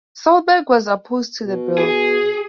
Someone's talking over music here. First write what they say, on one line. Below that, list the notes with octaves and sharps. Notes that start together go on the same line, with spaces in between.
Solberg was opposed to the bill.
B2
G#4